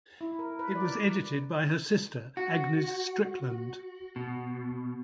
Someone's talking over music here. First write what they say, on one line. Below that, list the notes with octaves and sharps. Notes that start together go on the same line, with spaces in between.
It was edited by her sister Agnes Strickland.
E4
A#4
B4
D5
F#4
B2